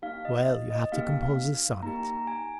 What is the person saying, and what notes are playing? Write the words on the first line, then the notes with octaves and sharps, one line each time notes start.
Well, you have to compose a sonnet.
A#3 D#4 G4 F5
D#5
D#5
A#3 D#4 G4 F5
F5
A#3 D#4 G4 A#5
A#5
G#5